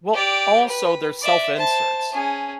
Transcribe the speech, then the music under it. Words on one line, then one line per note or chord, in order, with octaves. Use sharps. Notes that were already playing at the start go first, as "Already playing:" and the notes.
Well, also they're self-inserts,
G4 D5
B4
D5 E5
C5 A5
C#4 G#4